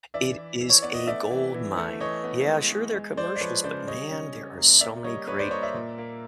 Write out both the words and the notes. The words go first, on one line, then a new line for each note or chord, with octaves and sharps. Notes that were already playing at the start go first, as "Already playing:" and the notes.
It is a gold mine. Yeah, sure, there are commercials, but man, there are so many great
E3 D5 E5
E3
E3
C#5
B3 D5
D#5
A3 D5 E5
E3
E3
A3
E3 C#5 D#5
B3
G#3
G#3
G#3
G#3 C5 D5
D5
F3 B4 C#5
C#3 C5 D5
G3 C#5 D#5
C#4
G3
A#3
A#3 D5 E5
G3 C#5 D#5
G3 B4 C#5
C5 D5
A#3 C#5 D#5
D5 E5
A#2
A#3